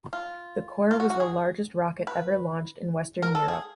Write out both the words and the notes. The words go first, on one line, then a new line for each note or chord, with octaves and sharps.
The Cora was the largest rocket ever launched in Western Europe.
F4
F4
F#4
F#4
G#4
B4
A#4
A4
G#4